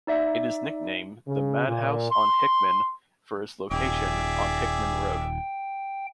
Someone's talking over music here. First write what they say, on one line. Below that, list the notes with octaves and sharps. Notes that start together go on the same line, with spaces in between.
It is nicknamed the "Madhouse on Hickman" for its location on Hickman Road.
D#4 D5 E5
C#3
A#2
C6
D#1 G#4 D5 E5 G5